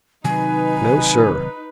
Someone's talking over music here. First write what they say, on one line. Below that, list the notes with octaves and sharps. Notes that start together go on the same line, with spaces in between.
No, sir!
C3 D#3 F#3 D#4 B4 G#5